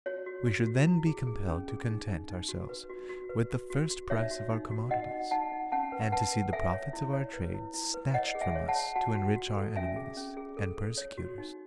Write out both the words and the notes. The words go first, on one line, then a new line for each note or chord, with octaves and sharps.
We should then be compelled to content ourselves with the first price of our commodities, and to see the profits of our trade snatched from us to enrich our enemies and persecutors.
F#4 C#5
F#4
F#4
F#4
E4
G#4
G#4
C#4
G#4
D#4
D#4
D#4
F#4
B4
F#4
F#4
B4
F#4
F#4
F#4
D#4 C#5 E5
F#4
D#4
F#4
D#4 D#5 F#5
D#4
D#4 F#5 A5
D#4
C#4 F#5 A5
B4
B4 F#5 A5
B4
A4 E5 G#5
C#5
E4
C#5
B4
E4
E4
B4
C#5 D#5 F#5
G#4
E5 G#5
C#5
F#5 A5
C#5
F#4 F#5 A5
F#4
F#4
A4
C#4 E5 G#5
G#4
C#4
G#4
A4
A4
C#5
F#4
D#4